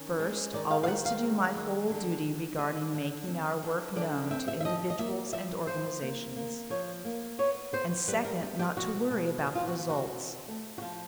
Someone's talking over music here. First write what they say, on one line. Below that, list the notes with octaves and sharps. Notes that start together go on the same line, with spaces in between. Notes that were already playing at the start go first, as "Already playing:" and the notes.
First, always to do my whole duty regarding making our work known to individuals and organizations; and, second, not to worry about the results.
Already playing: D#3 C#4
G#3
D#3 D5
F5
F5
D#3 F#5
F5
G#3
D#3
D3
D3
G3 D#5
D3
C4
D3
D3 D5
C4 E5
E5
E5
F3 D#5
D#5
A#3 E5
F3 E5
F3 C5
A#3
A#3
F3 C#5
A#3
B3 C#5
B3 C5
G3 B4
A#4
B3
G4
B2 F#4
B2
B2
F4
F#4
B2
F#4
C4
A3
F#4
F3 F4